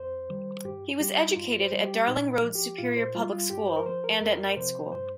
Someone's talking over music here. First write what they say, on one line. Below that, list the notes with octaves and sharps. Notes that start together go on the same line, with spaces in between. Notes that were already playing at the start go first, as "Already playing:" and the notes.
He was educated at Darling Road Superior Public School and at night school.
Already playing: F2 C5
D#3 G3
G2 G4
G3 G4
D#4
G2 F4
C5
G3
G4
A#2 D#4
F3
G4
A#2 F4
C5
G3 F4
F4
G2 G4
C5
A#4
F3 C5
A#4
F2 A#4
C3 F3 C5
G2 C5